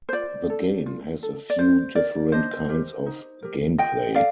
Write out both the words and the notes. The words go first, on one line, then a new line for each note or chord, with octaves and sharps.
The game has a few different kinds of gameplay.
C5
F4 D5
A4
F4
A4
D5
F4 C5
A#4 D5
D4 C5 D#5
G4 A#4
D#4
G4 A#4
F4 D#5 G5
A4 D5 F5